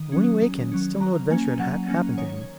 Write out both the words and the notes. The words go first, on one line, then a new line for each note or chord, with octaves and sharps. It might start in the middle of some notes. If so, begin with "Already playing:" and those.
But when he awakened still no adventure had happened to him.
Already playing: D#3 D#6
F#3 C#4
D#3
F#3 C#4
F#3 A#5
A#3 C#4 G#5
F#3 F#5
A#3 C#4
D#3 C#5